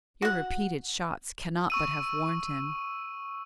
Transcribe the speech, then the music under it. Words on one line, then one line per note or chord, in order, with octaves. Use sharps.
Your repeated shots cannot but have warned him.
F#4 F#5
C#6 E6 D#7